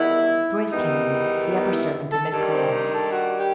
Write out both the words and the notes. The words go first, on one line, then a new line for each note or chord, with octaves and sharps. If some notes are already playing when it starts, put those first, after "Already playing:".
Joyce came in--the upper servant at Miss Carlyle's.
Already playing: E2 D#3 G3 B3 E4
E2 D#3 G3 B3 D#4
D#4
E4
A4
G2 D#3 G3 A4
C4
D#4
A4
F#4
G4